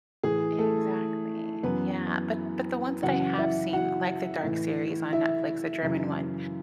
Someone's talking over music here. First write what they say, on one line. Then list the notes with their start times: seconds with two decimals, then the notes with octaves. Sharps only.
Exactly. Yeah. But but the ones that I have seen, like the Dark series on Netflix, the German one,
0.23 A2 E3 G#4
0.58 A3 A4
1.63 F#2 E3 B3 B4
3.03 F#2 C#3 E3 F#4 F#5
3.38 E4 E5
3.73 F#4 F#5
4.43 A2 E3
5.13 E4 E5
5.82 F#2 C#3 E3